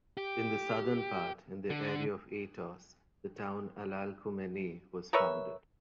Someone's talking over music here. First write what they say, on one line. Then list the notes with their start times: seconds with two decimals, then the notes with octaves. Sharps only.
In the southern part, in the area of Aetos, the town Alalcomenae was founded.
0.17 G4
1.70 D3
5.13 A#4 B4 C#5 E5